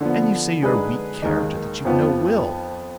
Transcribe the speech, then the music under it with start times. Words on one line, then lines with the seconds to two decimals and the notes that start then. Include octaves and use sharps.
"And you say you're a weak character, that you've no will."
0.01 D3 F3 B3
0.61 D3 G#3 D#4 G#4 B4
1.22 D#2 D#3 G#3 D#4
1.85 F2 F3 B3 F4